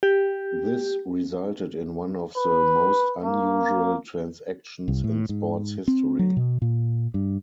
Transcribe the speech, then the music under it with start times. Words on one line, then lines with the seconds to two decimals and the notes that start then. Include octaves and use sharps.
This resulted in one of the most unusual transactions in sports history.
0.03 G4
2.36 B4
3.24 A#3
4.88 C2
5.04 A2
5.29 G#2
5.88 C4
6.19 F#3
6.37 B2
6.62 A#2
7.14 G2